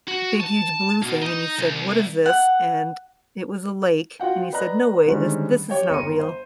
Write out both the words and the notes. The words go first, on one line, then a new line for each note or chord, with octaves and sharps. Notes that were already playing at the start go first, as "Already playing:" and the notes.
big, huge blue thing, and he said, "What is this?" And it was a lake, and he said, "No way, this this is not real,"
F#4
A5
B2
D#4
C2
F#5
F4 F#4 F#5 G5
B4 D5 D#5 A#5 F#6
D3 D#3 G3 G#3 C4 C#4
G4 C#5 G5
G1 A#5 C#7 D#7
C5